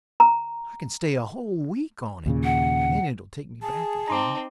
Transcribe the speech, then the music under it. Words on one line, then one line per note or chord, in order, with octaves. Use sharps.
I can stay a whole week on it, and then it'll take me back again.
A#5
D#2 A#2 C#3
F#5
G#4 A5
C4 D#4 A#5 C6 D6